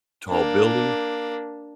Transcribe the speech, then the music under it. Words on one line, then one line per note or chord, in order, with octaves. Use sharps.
Tall building.
A#3 D4